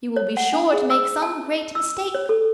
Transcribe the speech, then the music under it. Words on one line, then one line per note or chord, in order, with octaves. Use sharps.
You will be sure to make some great mistake.
C#5
F#5
D4
G#4
E6
A5
E6
C#5
A4